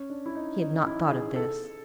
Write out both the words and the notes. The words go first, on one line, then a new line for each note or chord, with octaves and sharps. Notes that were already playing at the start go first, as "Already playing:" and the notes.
He had not thought of this.
Already playing: C#4
D4
E4
D#4
D#4
E4
G#4
A4